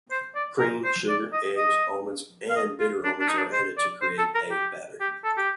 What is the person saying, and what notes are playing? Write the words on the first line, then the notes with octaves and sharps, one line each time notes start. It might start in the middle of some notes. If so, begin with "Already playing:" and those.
Cream, sugar, eggs, almonds and bitter almonds are added to create a batter.
C5
D5
A#4
C5
D5
D#5
D#5
F5
D#5
F4
D4
D4
D#4
D4
C5
D5
C5
A4
A#4
G4
G4
A4
G4